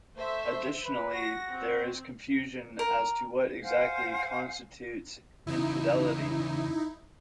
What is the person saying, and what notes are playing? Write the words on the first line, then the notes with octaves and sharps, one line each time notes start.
Additionally, there is confusion as to what exactly constitutes infidelity.
A3 C5 E5
B4
F#4 A#6
C4
A#4
C5 F5 F#5 G#5
E2 C#3 D#4 E4